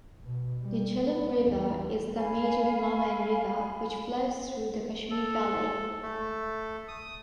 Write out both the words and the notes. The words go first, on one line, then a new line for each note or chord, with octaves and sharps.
The Jhelum River is the major Himalayan river which flows through the Kashmir valley.
B2
G3
B3
E2
F5 G#5 B5
A4
A3
D#6